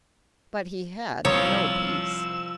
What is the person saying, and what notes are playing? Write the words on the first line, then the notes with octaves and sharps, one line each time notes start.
But he had no peace!
C2 F3 C#5 D#6 E6